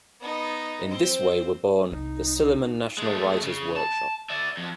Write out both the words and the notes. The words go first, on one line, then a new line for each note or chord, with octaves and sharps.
In this way were born the Silliman National Writers Workshop.
B3 D#4
C4 C5
C2 D#4
G#3 A3
C#3
A5
D5 E5
F2